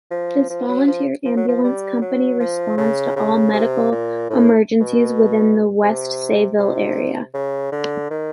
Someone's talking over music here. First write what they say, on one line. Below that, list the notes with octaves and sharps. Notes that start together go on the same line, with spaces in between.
This volunteer ambulance company responds to all medical emergencies within the West Sayville area.
F3
F3
F#3
F3
F3
F#3
F3
G3
F#3
F3
C#3
C#3
C3
A#2
A2
B2
C3
C3
C#3
D3
D#3